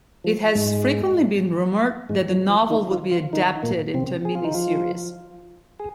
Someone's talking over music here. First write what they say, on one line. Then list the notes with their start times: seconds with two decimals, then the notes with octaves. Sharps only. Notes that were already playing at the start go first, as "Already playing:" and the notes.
It has frequently been rumoured that the novel would be adapted into a mini-series.
0.24 F3
0.55 G#2 G#3
2.09 G#2 G#3
2.29 F3
2.50 F3
2.70 D#3 D#4
2.91 F3 F4
3.11 F3 F4
3.33 D#3 D#4
3.63 A#2 A#3
3.94 C3 C4
4.25 G#4
4.35 F4
4.44 D#4
4.54 F3 F4
5.80 G#4